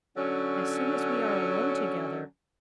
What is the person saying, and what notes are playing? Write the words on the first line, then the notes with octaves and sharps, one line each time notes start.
As soon as we are alone together.
D3 F#3 C#4